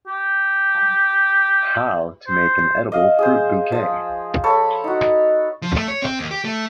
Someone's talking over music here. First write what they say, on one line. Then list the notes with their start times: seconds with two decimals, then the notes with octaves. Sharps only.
How to make an edible fruit bouquet.
0.08 G4
2.27 C5
2.92 D#5 F5
3.19 G#4 C5
3.72 F3
4.44 A4 C#5 B5
4.84 D#4 F#4
5.62 F3
5.75 A3
5.88 C#5
6.02 C4
6.19 D#2
6.31 G4
6.44 A3